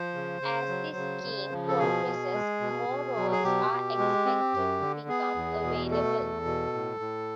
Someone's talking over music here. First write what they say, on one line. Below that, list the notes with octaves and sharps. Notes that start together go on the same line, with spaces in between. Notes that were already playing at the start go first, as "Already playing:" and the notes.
As the scheme progresses more roles are expected to become available.
Already playing: F3 C5
C#3
C#3
F#3
C#3
C#3
F3
A4
B2 G#4
B2
G#3
B2
B2
F#3
G#4
B2 G4
B2
G#3
C4
F#2
D3
B3 G#4
E2
B2
A3 A4
E2
B2
A2
A2